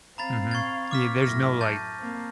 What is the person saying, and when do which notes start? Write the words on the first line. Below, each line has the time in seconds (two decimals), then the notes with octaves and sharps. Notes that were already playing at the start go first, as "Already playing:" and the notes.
mhm, yeah, there's no, like
0.18 C4 F5 A#5 B5 A6
0.51 C#6 G#6 A6
0.91 D6 F6 B6
1.22 F#2 A2 F6 A#6
1.61 A5 G6 A6
1.99 A#3 C4